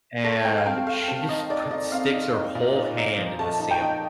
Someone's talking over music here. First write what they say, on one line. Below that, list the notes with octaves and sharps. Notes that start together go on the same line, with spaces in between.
And she just put sticks her whole hand in the salmon
A3 A5
A3 G5
F5
C4 G5
A3 F5
C4 A5
D#4 D#5
D#4 D5
D#4 D#5
C4 F5
D#4
D#4
A#2
D#4
D#4
F3
A3 A5
D#4
G5
D#4